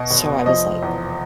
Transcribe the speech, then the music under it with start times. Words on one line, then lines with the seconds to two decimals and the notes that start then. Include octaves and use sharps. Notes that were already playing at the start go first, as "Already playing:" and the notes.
so I was, like,
Already playing: B2 D#5
0.11 F1
0.46 F3 D#5
0.83 E2